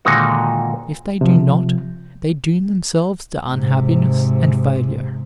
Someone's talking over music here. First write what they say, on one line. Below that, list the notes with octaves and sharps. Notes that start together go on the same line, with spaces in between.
If they do not, they doom themselves to unhappiness and failure.
A#2 D3 D#3 G#3 D#4 F#4
C3 F3
G#2 C3